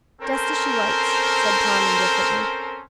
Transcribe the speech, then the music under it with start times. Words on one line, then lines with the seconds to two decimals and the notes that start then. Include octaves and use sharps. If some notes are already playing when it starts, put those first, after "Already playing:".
"Just as she likes," said Tom indifferently.
0.21 C4 C#4 A4 A#4 C5